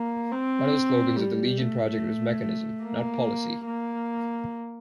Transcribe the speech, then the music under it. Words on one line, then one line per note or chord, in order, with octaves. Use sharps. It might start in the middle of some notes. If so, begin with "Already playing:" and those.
One of the slogans of the Legion project is mechanism, not policy!
Already playing: A#3
C4
G3
A3
A#3
A#3